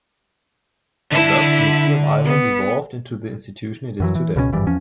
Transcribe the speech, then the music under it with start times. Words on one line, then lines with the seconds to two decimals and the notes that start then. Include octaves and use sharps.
Thus Museum Island evolved into the institution it is today.
1.12 D3 E4 E5 A5
2.24 B3
4.00 F#2 E3 F#3
4.15 E3
4.36 C#2 B2 F3 C#4
4.52 G#1 G2 E3 G3
4.67 E2 F3 C#4